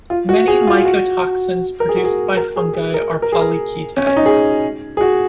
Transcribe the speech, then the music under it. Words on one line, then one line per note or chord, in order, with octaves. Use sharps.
Many mycotoxins produced by fungi are polyketides.
F4
F#4
G#4
F4
F#4
A#4
G#4
F#4
G#4
A#4
G#4
G#4
A#4
A#4
G#4
A#4
C#4
C#4
D#4
G#4
G#4
F#4